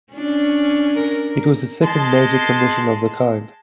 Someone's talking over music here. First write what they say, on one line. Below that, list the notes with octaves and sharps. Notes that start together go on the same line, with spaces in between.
It was the second major commission of the kind.
C#4 D4
A#4
G#3 A5 C6